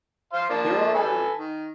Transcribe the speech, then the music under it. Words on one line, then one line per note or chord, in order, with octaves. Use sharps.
There are
C5 F5 C6
F3 A#3 D4
A4 B4 G#5
D#3